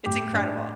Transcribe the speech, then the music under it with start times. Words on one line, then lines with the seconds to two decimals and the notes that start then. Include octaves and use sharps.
It's incredible.
0.06 A2 G4
0.34 A2 D4